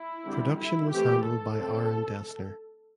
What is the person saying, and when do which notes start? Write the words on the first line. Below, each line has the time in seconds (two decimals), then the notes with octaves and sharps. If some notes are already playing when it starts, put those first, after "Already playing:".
Production was handled by Aaron Dessner.
Already playing: E4
0.25 D3 G3 C4
0.58 E4
0.91 E3 A3 C4 G4
1.23 A4
1.55 D3 A3 C4